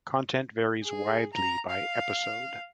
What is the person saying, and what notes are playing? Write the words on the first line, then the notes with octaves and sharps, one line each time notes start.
Content varies widely by episode.
G#4
A#5
F5